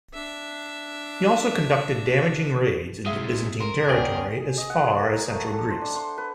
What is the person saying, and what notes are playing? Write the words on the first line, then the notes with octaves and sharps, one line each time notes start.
He also conducted damaging raids into Byzantine territory as far as central Greece.
D4 E5
A2 C3 G#3 E5 F5 D#6
A#4 C6
D2 B3 C#4 G#4 D5 D#5 G5
G#4
D#5
F#5
G#4
A#3
A#4
A3
A4
C5
D4
C6
B4